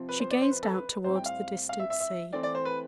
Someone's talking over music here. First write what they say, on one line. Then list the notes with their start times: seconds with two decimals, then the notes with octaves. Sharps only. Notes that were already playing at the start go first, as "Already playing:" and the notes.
She gazed out towards the distant sea.
Already playing: C3 F3 C4
0.09 B4
0.20 C5
0.31 D5
0.41 C5
0.51 B4
0.63 A4
0.72 B4
1.04 A2 G3 C4 C5
1.16 G5
1.26 F5
1.69 F5
1.80 E5
1.90 E5
2.00 E5
2.33 E3 A3 C4 D5
2.43 D5
2.55 C5
2.65 B4